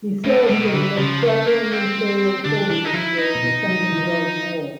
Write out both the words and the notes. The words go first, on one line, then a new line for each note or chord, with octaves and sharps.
He served in the Australian Imperial Forces during the Second World War.
A2 A3
B2 G#3
D#3
D3 E3
C#3 F3
A3
A#3
C4
D3 D4
F3
E3 D4
D#4
F3 E4
D#4
A#2
B2
F#3
F3
E3
F3